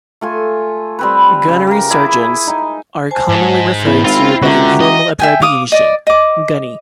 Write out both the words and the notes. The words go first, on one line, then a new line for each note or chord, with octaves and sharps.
Gunnery sergeants are commonly referred to by the informal abbreviation "gunny".
A3 F4 G#5
G3 C4 B4
C#3
G4 A#4
E4 G#4 B5 D6
D#4 G#5
C5 G#5 A5
G#2
E2 B5
G#1 C4 E4 F4
C#2 D3 F#4 G4 E5 A#5
D#5
E5 G5 G#5
F5 D6 D#6
D5 D#5
D#5 D6